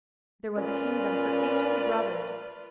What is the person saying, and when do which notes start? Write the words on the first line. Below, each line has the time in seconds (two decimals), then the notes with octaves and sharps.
There was a kingdom for each of the brothers.
0.57 A#2 C#4 F4 B4 D5